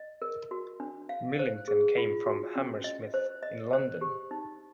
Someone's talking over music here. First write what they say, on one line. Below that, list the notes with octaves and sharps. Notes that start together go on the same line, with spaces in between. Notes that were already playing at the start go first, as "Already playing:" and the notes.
Millington came from Hammersmith in London.
Already playing: D#5
A#4
F#4
D4
F5
C5
G#4
F4
F#4
C#4
D#5
C5
D#5
C5
G4
D#4